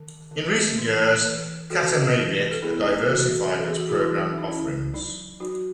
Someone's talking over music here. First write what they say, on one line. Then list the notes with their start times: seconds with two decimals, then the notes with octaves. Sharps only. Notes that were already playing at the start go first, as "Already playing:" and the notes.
In recent years, Katimavik diversified its program offerings.
Already playing: D#3
0.31 D#3
0.78 E3
1.24 E3
1.70 E3 F#4 A4
2.17 E3
2.40 B4
2.51 A4
2.62 B3 E4 G#4
3.09 E3 F#4 A4
3.56 E3 A4
3.67 G#4
3.78 F#4
3.89 E4 G#4
4.02 E3
4.38 D#4
4.47 C#4 E4
4.94 F#3 D#4
5.40 F#3 D#4 F#4